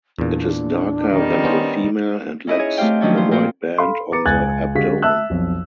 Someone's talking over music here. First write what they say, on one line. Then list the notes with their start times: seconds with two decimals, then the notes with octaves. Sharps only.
It is darker than the female and lacks the white band on the abdomen.
0.19 E2 A#2 D4
1.10 D#3 G3
1.44 B3 C#4 C5
2.47 C#4 D#4 E4 G#4 D#5
2.59 G#4 C#5
2.78 A3 C4 G4 C5 F5 G5
3.01 D#3 F3 F#3 C#4 D4 C#5
3.15 F4 B4 C5
3.31 A#2 F4 F#4 C5 G5
3.78 A4 F5 B5 C6
4.12 B4 A#5 D6 A6 C#7
4.26 C#2 G#5 F#6 G#6 A6
4.75 D3 G#3 F#4 G4 F5 B6
5.02 E5 A5 E6 F#6
5.30 B1 F2